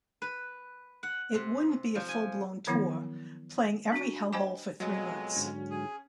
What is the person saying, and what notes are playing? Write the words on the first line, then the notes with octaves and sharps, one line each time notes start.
It wouldn't be a full-blown tour, playing every hell-hole for three months.
B4
F#5
C3
F3
G#5
D#3 F3 F#3 B3 E4
D4 F#4
C5 D#5 G5 G#5 B5 D6
F2 B2 F#3 G#3 D#5
G#2 D3 F#3 C#4
G#4